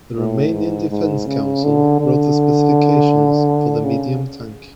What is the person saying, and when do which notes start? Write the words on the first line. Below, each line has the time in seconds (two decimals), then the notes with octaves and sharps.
The Romanian Defense Council wrote the specifications for the medium tank.
0.17 A2
0.53 G#2
0.90 G#2
1.27 C#3
1.64 D3
2.00 D3
3.84 C#3